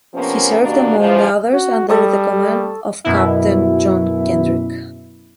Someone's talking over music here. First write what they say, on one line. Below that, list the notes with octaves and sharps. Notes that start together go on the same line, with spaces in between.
He served, among others, under the command of captain John Kendrick.
C3 F3 A#3 B3 C#4
B2 D#3 G3 A#3 D4 F#4
G#2 C#3 E3 F3
F#4
G3 A4 C#6 D#6
F#2 B2 E4